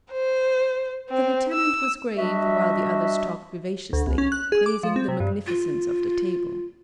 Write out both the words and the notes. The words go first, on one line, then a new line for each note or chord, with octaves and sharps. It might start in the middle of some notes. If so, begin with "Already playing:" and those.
The lieutenant was grave while the others talked vivaciously, praising the magnificence of the table.
C5
C4
E6
G3 D4 F#4 D#5 E5
D2
C2
C#4
F#6
G#4
D6
F3
C4
C3
G2
F4